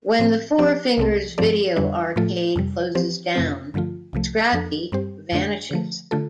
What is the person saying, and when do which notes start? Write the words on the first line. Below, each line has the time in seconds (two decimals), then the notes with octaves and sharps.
When the Four Fingers Video Arcade closes down, Scrappy vanishes.
0.19 A2 F3 C4
0.58 F3 C4 G4 D5
0.98 C2 C3 A3 C4 A4
1.38 G2 F3 C4 A4 D5
1.76 F2 D3 G3 D4
2.16 A2 F3 A3 F4 A4
2.56 F2 C3 G3
2.95 F3 C4 G4 C5
3.34 F2 C3 A3 C4 F4
3.74 G2 D3 F3 A3 F4
4.13 C2 C3 F3 A3
4.53 F2 F3 D4 A4
4.92 G2 G3 C4 G4 C5
5.32 F2 D3 A3 D4
5.71 D3 F3 A3
6.11 D3 A3 F4 A4